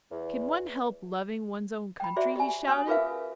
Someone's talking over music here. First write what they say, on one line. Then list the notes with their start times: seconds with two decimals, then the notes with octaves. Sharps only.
"Can one help loving one's own country?" he shouted.
0.11 E2
2.00 G5 B5
2.16 F#4 G#4 C5 D5 E5
2.36 G4 G#5
2.68 C#4 G#5 D#6
2.87 F4 G#4 A#4 B4 E5 F5